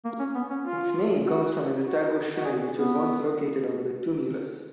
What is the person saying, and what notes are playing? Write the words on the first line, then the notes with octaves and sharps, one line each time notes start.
Its name comes from an Atago Shrine which was once located on the tumulus.
A#3
C#4
B3
C#4
F4
F#4
F#4
F#4
G#4
B3